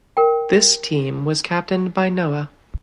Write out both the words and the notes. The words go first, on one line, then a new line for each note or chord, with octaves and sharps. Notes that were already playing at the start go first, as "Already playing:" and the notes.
This team was captained by Noah.
A#4 G5